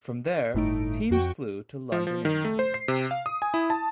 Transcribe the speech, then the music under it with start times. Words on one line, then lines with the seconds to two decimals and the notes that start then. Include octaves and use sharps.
From there, teams flew to London, England.
0.54 G1 A2 A3 D#4 D7
1.10 F2 F#4 G5 C#6
1.92 F3
2.07 F3
2.25 D#3
2.45 A3
2.59 C5
2.74 C7
2.88 C3
3.11 F5
3.26 D#6
3.42 G#5
3.54 E4
3.70 A5